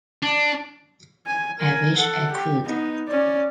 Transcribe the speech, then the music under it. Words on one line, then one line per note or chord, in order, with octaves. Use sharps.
I wish I could.
D4
G#5
A#4 G#5
A4 F#5
G4
B3 D#4
C#4 D5